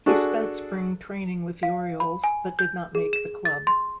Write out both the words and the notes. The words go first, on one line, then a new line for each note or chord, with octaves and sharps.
He spent Spring training with the Orioles, but did not make the club.
D4 F#4 G#4 A4
F5
B5
G#5
G6
G#4
E7
A6
C6